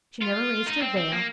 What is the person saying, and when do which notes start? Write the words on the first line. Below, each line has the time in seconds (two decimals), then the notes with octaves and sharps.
She never raised her veil.
0.21 F4
0.67 D#4
0.82 C4
0.97 C4
1.12 A#3